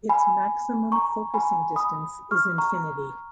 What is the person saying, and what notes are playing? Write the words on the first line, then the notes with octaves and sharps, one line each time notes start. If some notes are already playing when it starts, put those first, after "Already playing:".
Its maximum focusing distance is infinity.
G#5 B5
A#5 C#6
G#5 B5
B5 D#6
C#6 F6
A#5 C#6